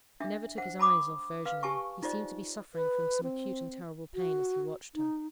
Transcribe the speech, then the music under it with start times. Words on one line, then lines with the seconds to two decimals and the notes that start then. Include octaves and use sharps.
He never took his eyes off Virginie; he seemed to be suffering from some acute and terrible pain as he watched her.
0.20 D4 E5
0.58 C5 F#5
0.79 A5 B5 D6 D#6
1.45 B4 F5
1.63 G4 G#5 A5 C#6
2.03 D#4 F4 C5 D5 D#5
2.75 B4
3.23 C4
4.15 F#4
4.95 D#4